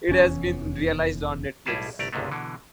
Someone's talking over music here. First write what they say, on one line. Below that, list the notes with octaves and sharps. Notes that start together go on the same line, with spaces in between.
It has been releazed on netflix.
F1 E2 B2 C#4
B1 A2 G3 E4 G#4 A5
G1 C2 A3 D5 A#5
G1 C#2 G#2 C3 G#3 A3
B2 D3 E3